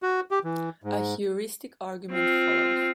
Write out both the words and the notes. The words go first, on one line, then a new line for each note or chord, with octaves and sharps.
A heuristic argument follows.
F#4
G4
E3
G#2
C4 F4